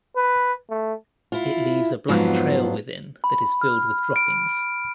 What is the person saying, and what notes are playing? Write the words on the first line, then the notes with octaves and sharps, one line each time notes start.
It leaves a black trail within that is filled with droppings.
B4
A3
E4 F4
F2 G#2 F3 F#3 B3 F4
B5
F6
D7